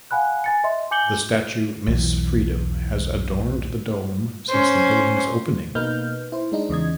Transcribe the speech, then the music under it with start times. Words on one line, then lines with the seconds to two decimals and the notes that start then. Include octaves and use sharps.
The statue "Miss Freedom" has adorned the dome since the building's opening.
0.11 F5 F#5 G#5 B5 F#6
0.44 G#5 A6 C#7
0.64 D#5 E5 C6
0.91 G#5 D6 G6 C#7 F#7 G7
1.88 B1 E2 E3
4.49 C#4 C5
5.75 B2 A#3 D#4 B4 F6 G6
6.32 E4 C5
6.52 G#3 D4 D#4
6.69 E2 C#3 D#5 G#6